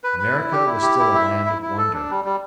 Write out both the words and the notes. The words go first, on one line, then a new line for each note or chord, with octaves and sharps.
America was still a land of wonder.
B4
B4
E4
G4
E4
G4
E4
E5
E4
E4
E4
A4
D4
G3
G3